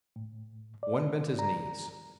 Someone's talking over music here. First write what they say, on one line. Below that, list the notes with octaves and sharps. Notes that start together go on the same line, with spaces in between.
One bent his knees.
A2
D5
A#5